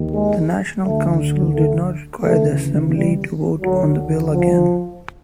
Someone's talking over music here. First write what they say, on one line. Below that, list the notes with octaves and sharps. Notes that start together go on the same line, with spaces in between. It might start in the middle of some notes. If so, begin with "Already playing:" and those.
The National Council did not require the Assembly to vote on the bill again.
Already playing: D#2 D#3
G#3
D2 D3 A3
A3
D2 C#3 E3 A3
G3
D2 D3 F#3
F3